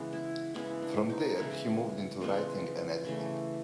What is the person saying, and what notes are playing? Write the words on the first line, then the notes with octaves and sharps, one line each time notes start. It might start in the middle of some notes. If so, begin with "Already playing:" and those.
From there, he moved into writing and editing.
Already playing: C#3 E3 G#3 B3
E4
C#3 E3 G#3 B3 E4
D4
D#4
C#3 E3 G#3 B3 E4
C#3 E3 G#3 B3 F4
C#3 E3 A3